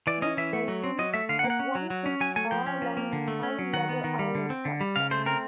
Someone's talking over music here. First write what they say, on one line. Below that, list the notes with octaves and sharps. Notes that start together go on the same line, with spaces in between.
This station has one six-car-long high-level island platform.
E3 D5
C#4 D#5
E3 E5
A3
F#3
C4
F#3 D#5
A3 E5
D3 F5
F#5
A#3
F#5
C#4
F#3
F#3
C#4
F#3 G#5
A3 G#5
F3 G5
C#4
F3
A#3
D3
A3
C#4
F#3
D#3 F#5
B3
D#3
G3
D3
C4
D3
G3
C#3 F5
A3 C5
C4 A#4